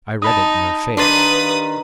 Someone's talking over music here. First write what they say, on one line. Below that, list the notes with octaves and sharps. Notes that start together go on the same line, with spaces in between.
I read it in her face.
D#4 A5 B5 D#6
D#3 G3 A#3 D4 B4 C6 D#6 A6